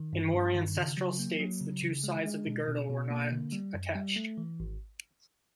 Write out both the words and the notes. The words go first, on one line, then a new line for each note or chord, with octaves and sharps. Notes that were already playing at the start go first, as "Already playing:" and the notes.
In more ancestral states the two sides of the girdle were not attached.
Already playing: D#3
G2
G2
D#3
C#3
F#3
A#3
F#3
C#3
C#3
G#3
G#3
B2
B2
B2
A#3
D3
G3
F#2
G3
A3
E3
G#1